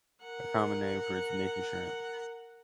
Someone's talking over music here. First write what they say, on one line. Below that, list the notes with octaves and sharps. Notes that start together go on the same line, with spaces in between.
A common name for it is nika shrimp.
A#4 F#5